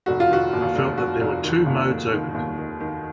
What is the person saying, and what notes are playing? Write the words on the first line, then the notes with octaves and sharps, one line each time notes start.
I felt that there were two modes open to me.
F1 F#4
F4
D#3 F#4
D#2
F1
F1 F#4
F1
D#3
D#2
F1
D#3
D#2
D#3
D#3